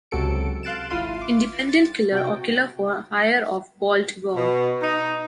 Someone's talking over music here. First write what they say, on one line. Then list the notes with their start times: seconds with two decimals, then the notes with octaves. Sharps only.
Independent killer or killer for hire of Paul Tabor.
0.11 C#2 C3 F#3 A4 C#7 D7
0.63 F5 C6 F#6 A6 D7 E7
0.90 G#1 E4 F4 F5 C6 D#7
1.21 D6
1.69 A6
2.12 C3 F#4 G5
4.36 B2
4.82 D#4